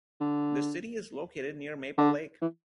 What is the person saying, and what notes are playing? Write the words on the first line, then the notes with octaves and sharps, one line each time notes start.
The city is located near Maple Lake.
D3
D3
E3